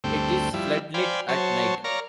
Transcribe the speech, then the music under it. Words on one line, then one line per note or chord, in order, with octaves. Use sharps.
It is floodlit at night.
D2 G2 A3 C4 G5
F3 G3 E4
C5 D5 F5 G5 G#5 B5
F#3 C5 C#5 A5
A#4 C#5 D5 F5 A#5